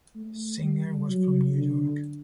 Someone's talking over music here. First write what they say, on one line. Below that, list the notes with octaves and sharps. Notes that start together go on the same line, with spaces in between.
Singer was from New York.
A3
G3
F#3
D3